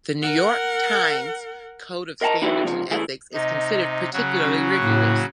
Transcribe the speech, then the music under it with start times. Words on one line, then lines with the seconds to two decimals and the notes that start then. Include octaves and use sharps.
The "New York Times" code of standards and ethics is considered particularly rigorous.
0.21 A#4 F#5
2.21 A#4 D#5 F5 F#5 A5 A#5
2.42 D#4 E4 F#4 G4 B4 D5
2.63 F2 G#2 C3 F3
2.91 E3 A3 E4 G#4
3.33 C3 D#4 D#5
4.13 C#3 F#3 F#4
4.42 C#4
4.81 A2 A#3